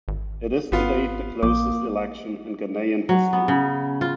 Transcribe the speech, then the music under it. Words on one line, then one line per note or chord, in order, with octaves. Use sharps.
It is to date the closest election in Ghanaian history.
G#1
G#1 B3 F4
A#1 A#3 D6
F#3
B3
C#3
F4